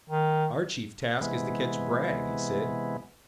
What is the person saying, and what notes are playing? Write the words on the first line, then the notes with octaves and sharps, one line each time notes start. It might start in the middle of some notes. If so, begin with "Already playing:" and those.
"Our chief task is to catch Bragg," he said.
D#3
C3 E3 G#3 B3